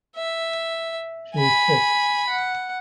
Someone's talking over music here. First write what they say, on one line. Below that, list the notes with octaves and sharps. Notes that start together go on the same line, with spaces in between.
She is sick.
E5
G#5 B5
F#5